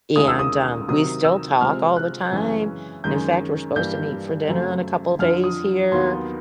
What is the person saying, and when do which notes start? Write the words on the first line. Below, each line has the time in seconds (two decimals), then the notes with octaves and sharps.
And, um, we still talk all the time. In fact, we're supposed to meet for dinner in a couple of days here,
0.16 D#2 D#3 G#3 C#4 D#6
0.28 E6
0.39 D#6
0.88 C3 D#3 F#3 D#6
1.24 E6
1.60 C3 F3 G#3 C4 F6
1.96 F#6
2.32 F#2 C#3 E3 G#3 C#4
3.04 F#2 D#3 G#3 C#4 G6
3.76 G2 E3 G3 A#3 G6
4.48 F#2 C#3 F#3 A3 C4
5.19 F2 D3 F3 F6
5.44 D#6
5.92 D#2 D#3 F#3 B3 C6